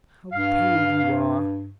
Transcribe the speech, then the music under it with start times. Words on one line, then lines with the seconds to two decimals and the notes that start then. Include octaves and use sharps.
How pale you are!'
0.32 G2 F5